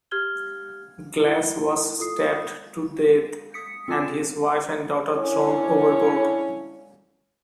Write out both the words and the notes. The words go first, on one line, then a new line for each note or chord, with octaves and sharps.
Glas was stabbed to death, and his wife and daughter thrown overboard.
G4 F6 G#6 G7
E4 G7
F4 A4 D#6 C7
D#6 B6 C#7
C4 F4 A4 G#5 D6 E7
D3 C#4 D4 E4 C#5